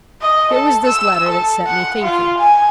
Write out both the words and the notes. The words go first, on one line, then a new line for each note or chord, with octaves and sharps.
It was this letter that set me thinking.
D#5
A4
E6
A4
F#5
F4
G#5